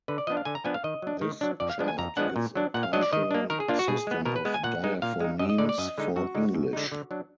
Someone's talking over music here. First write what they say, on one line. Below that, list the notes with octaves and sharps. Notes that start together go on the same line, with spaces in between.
This chart gives a partial system of diaphonemes for English.
D3 B4
D5
F3 B3 D4 D#5
F5
D3 G#5
A#5
F3 B3 D4 G#5
F5
D#3 D#5
F#3 D4
D#3
F#3 D4
F2 D5
F5
F3 G#3 B3 D4
G#5
F2 A#5
F3 G#3 B3 D4 F#5
A#2
F#3 D4
A#2 F#5
F5
F#3 D4 D#5
D5
D#3 D#5
A#3 D4
D#3 A#4
G#4
A#3 D4 F4
F#4
B2 G#4
G#3 B3
B2 A#4
B4
G#3 B3
G#5
A#2 F#5
G#3 D#4
A#2 F5
G#3 D#4
F#2 D#5
D#5
D3 G#3 D#4 D5
D5
F#2 D#5
D3 G#3 D#4
F#2 F#4
D3 G#3 D#4
F#2
D3 G#3 D#4
D3
F#3 D4